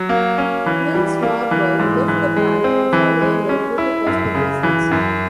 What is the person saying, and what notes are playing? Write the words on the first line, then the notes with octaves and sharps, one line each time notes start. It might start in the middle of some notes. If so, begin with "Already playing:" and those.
Nils Norberg left the band the following year due to personal reasons.
Already playing: F#3
A#3
C#4
E3
G3
A#3
E3
G#2
E3
G#3
C4
E3
G#3
C#4
E4
F#2
C#3
E3
F#2